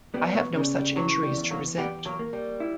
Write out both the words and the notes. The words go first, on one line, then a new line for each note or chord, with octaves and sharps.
I have no such injuries to resent.
G3 B3
F#3 A#3
C#3 G3
G3
E3 F#3
G3
E2
F#3 A#3
G3 B3 G4
F#3 A#3
A#3
G3
E4